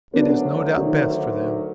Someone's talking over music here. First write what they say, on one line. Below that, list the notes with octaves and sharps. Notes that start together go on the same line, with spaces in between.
It is no doubt best for them.
D2 F#3 B3 D4
D#3